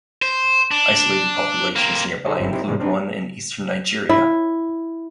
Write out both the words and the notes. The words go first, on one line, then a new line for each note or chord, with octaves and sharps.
Isolated populations nearby include one in eastern Nigeria.
C5
D4
A#3 C4
D#4 G#4 A4 C5 C#5 D#5
G1 C4 E4
C4 D#4 E4 G4 G5
A2 C3 E3 G3 G#3
C4 D4 D#4 B4
E4